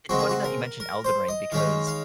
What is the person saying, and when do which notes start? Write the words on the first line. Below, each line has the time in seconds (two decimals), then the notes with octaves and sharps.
it's funny that you mentioned Elden Ring because,
0.09 C#3 G#3 C4 F#4
0.19 G#4
0.29 F#4
0.44 A#4
0.80 A#4
1.04 C5
1.29 D#5
1.52 D#3 G#3 C#4 F5
1.87 F5